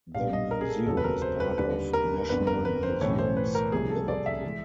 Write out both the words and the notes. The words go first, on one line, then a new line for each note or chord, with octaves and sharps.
The museum is part of National Museums Liverpool.
B1 A#2 G3 B3 F5
D#5
A#4
G#4
A4
F1 D#2 C#3 F#3 A4
B4
A#4
C5
B4
D#2 D3 G3 B4
A#4
G1 F2 D3 B4
A#4
B4
C5
B1 A2 E3 A3 C#5
C5
B4
A#4
C2 C3 F3 A#3 G#4
A4
D5
E5
E3 G#3